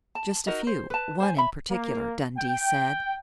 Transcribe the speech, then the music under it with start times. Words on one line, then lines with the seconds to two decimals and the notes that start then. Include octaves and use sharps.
"Just a few--one in particular," Dundee said.
0.15 A5
0.47 D#4 F#4 A#4 D#5
0.67 C5
0.90 B4 A5
1.20 C5 G#5
1.36 E5 B5
1.70 A#3
2.36 G5